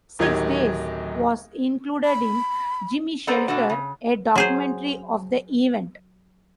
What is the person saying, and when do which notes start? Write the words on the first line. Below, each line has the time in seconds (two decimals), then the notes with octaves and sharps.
"Six Days..." was included in "Gimme Shelter", a documentary of the event.
0.19 D1 D#3 F#3 D#4 G4 G#6
2.05 B5
3.27 B3 A4 B4 C5 D5 A#5
3.48 B2 A3 D4 F#4
3.70 C#3
4.35 F#3 G#4 C5